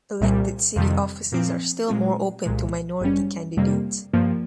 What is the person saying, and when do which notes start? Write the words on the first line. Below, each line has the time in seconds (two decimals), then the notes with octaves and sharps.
Elected city offices are still more open to minority candidates.
0.21 C2 A#2 G3
0.76 F2 C3 D#3 G3
1.32 A#2 F3 C4
1.88 A#2 G#3 C4 F4
2.45 C2 A#2 G#3
3.01 G#1 G2 G3 C#4
3.57 F2 C3 G3 A#3
4.13 G2 F3 A#3